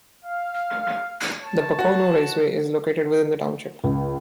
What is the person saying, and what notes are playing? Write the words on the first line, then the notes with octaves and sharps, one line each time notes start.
The Pocono Raceway is located within the township.
F5
C#5 A5
F#4
C#2